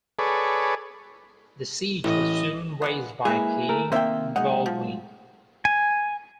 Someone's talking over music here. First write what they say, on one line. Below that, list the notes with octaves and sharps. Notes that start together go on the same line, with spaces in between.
The siege was soon raised by King Baldwin.
G#4 A4 B4 C#5 D5
A1 E4 D#5
G#3 A#3 B3
G#3 A#3 E4 G#4 B4
A3 A#4
C3 D#3 A#3 C5 E5 G5
B1 G#3 D#4 F#5
F3
G#5